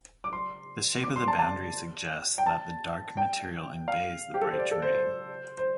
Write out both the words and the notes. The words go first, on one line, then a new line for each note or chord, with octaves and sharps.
The shape of the boundary suggests that the dark material embays the bright terrain.
D6
C6
D6
C6
A5
A5
G5
A5
G5
F5
G4
A4
C5
D5
A4
C5
C5
C5